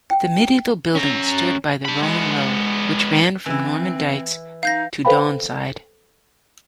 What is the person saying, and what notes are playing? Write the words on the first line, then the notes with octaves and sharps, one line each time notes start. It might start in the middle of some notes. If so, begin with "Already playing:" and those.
The medieval building stood by the Roman road which ran from Normandykes to Donside.
G5
C#4 A#5
D4 B5
G#3 B3
E3 C4 E4
D#4 F5 G6 A#6
A4 B4 C5 F5 G5 B5